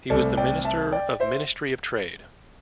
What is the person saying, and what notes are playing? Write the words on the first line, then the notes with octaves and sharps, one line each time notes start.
He was Minister of Ministry of Trade.
C2 C3 A3 A4 D5
D5 G5
E5 A5
D5 G5
C5 E5